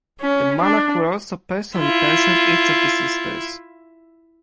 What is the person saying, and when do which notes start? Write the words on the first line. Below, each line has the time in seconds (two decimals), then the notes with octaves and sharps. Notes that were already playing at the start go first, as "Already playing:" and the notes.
The monarch will also personally pension each of the sisters.
0.21 C#4
0.63 D4
1.77 E4 F4